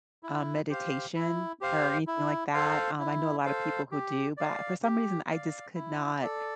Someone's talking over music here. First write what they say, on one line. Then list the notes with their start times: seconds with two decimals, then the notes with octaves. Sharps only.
um, meditation, or anything like that, um, I know a lotta people who do, but I for some reason, I just could not
0.23 E4
0.70 G4 C5 F5
1.16 E4
1.61 G4 C5 F5
2.07 E4
2.54 A4 C5 F5
2.99 E4
3.45 A4 C5 F5
3.91 G4
4.37 D5 F5
4.83 G4
5.29 D5 F5
5.75 E4
6.22 A4 D5